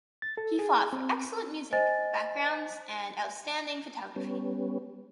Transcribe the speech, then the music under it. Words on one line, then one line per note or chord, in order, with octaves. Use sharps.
He fought for excellent music backgrounds and outstanding photography.
A6
A4
G#4
C4
C5 D#5 G#5 A6
G3 B3 C#4